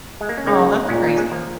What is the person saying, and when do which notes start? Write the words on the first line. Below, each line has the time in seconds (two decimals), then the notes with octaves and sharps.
Oh, that's crazy.
0.21 G#3
0.29 A#3
0.38 C#4
0.46 C#3 A#3 D#4
0.85 D#4
0.89 A#2 G#3 C#4
1.03 A#3 D#4
1.17 G#3 C#4
1.31 F3 A#3